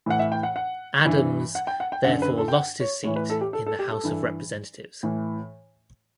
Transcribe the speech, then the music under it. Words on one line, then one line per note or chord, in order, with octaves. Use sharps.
Adams therefore lost his seat in the House of Representatives.
A2 E3 F#5
E5
G5
F#5
F#5
G2 E3
F#5
G5
F#5
G5
F#2 D3 F#5
B4
A4
G5
F#5
C#5
A2 E3 C#5
B4
A4
G4
A4
A4
G4
A4
G2 E3
A2 E3